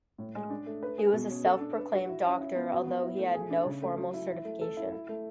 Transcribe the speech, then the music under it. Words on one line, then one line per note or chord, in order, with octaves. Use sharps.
He was a self-proclaimed doctor, although he had no formal certification.
A2
G#3
D4
A3
B4
G#4
B2
C#4
A4
D4
B4
F#4
E4
C#4
E4
B3
F#4
B3
E4
A3
G#4
D4
C#3
A3
F#3
E4
E4
A3
A4
E4
E4
A3